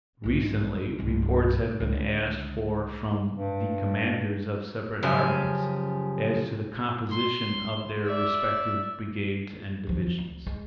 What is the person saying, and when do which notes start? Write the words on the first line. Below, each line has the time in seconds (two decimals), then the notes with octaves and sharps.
Recently reports have been asked for from the commanders of separate armies as to the composition of their respective brigades and divisions.
0.23 B1 G#2
0.99 C2 G2
1.80 C#2 D3
3.35 G2
5.03 F#2 C#3 F3 G4 G#5
7.10 C6
8.06 D5 E5
9.87 D#2 F3
10.18 D2
10.47 G#3